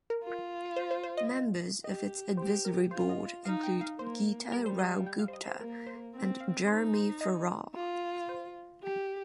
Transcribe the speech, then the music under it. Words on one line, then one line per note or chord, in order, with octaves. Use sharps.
Members of its advisory board include Geeta Rao Gupta and Jeremy Farrar.
A#4
F4
C5
C5
C5
D#5
G4 D#5
G4 C5
A#4
F4 C5
D#5
D#4 F5
G5
F5
A#3 C5
G3 A#4
C5
D#5
F5
G5
F5
C5
D#5
C5
A#3 A#4
C5
C4
F5
D#4 C5
C5
D#5
F4
C5
G4